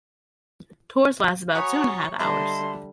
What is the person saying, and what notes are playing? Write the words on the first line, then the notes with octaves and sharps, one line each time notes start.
Tours last about two and a half hours.
F#4 C#5 G#5 A#5 B5 C#6 D#6
D3 G3 B4 D#5 E5 A5 A#5 C6